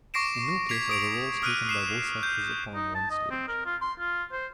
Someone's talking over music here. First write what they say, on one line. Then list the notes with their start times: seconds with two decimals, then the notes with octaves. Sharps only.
In no case are the roles taken by both sexes upon one stage.
0.14 C#6 D6 A#6 C7 D7 E7
0.69 G#6 B6 C7 D7 F7
0.89 D#6 D7 F7
1.42 D#6 F6 F#6 D7 D#7
1.69 C7 E7
2.23 G6
2.75 D#4
2.95 A5
3.11 D#5
3.30 C4
3.48 A#4
3.66 F4
3.82 C6
3.99 F4
4.32 C5